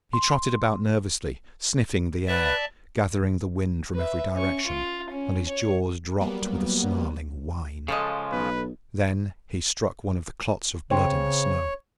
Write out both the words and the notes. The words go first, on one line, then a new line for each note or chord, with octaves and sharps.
He trotted about nervously, sniffing the air, gathering the wind from every direction, and his jaws dropped with a snarling whine. Then he struck one of the clots of blood in the snow.
C6
B4 D5 E5 A5
B4 E5
C#4 C#6
F4
C#4
C#5
F#3 G3 A#3 B3
C#3 F3 G#3 A4 D#5
B1 B4
C#3 C4 C#5